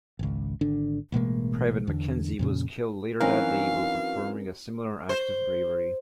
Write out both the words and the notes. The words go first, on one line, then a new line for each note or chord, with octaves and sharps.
Private Mackenzie was killed later that day while performing a similar act of bravery.
G#1 C#2
G#1 D3 D4
A1 B2 G#3 A#3
E2 D3
F2 A#2 C#3
E3 F#3 C4 C#4 D#4 A#4 F5
C5